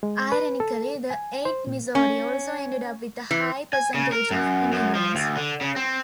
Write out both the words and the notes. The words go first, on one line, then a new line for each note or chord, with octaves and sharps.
Ironically, the Eighth Missouri also ended up with a high percentage of immigrants.
G#3
B4
A4
G#5
C5
A#2
C#4
E3
G#5
C#3
A#4
F#2
F#2
F3
D2
D3
C#3
C4